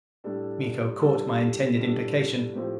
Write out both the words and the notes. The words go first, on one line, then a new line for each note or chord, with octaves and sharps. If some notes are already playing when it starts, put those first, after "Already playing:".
Miko caught my intended implication.
A2 G3 D4 A4
A2 G3 D4 A4
A2 G3 D4 A4
A2 F3 A3 C4 G4